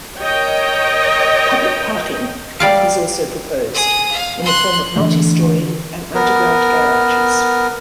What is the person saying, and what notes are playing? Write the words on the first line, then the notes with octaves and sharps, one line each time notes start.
Public parking is also proposed in the form of multi-storied and underground garages.
A#4 C#5 D#5 G5
G3 D5 F5
G#4 D#6
F5
C6 F#6
D3 E3 G#3 A3
B3 A#4